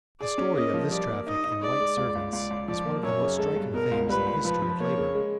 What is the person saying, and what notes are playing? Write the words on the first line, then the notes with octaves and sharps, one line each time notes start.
The story of this traffic in white servants is one of the most striking things in the history of labor.
G#4 D5
C#4
A#3 D#5
F3
G3 D5
A#3
D#4 D#5
D#4
G#3 D5
G#3
C#2
C#2
C#2 D5
C#2
F3 D5
A#3
F#2 C#5
C#3
G#3 A4
G2
B2 A#4
C#2
G3 B4
C#2
F3 B4
F3
A#3 C#5
C#3
G#3